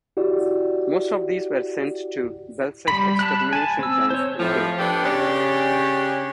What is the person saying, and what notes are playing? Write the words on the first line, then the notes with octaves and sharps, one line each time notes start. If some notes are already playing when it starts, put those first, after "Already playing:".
Most of these were sent to Belzec extermination camp and killed.
E4 F#4 G4 D5
G3 B5
A5 B5 F#6
G#5 A5
C4 E6
C5 C#5
F2 A2 F3
B3 D4 G4 A4 B4
C#3 C#4 D4 G4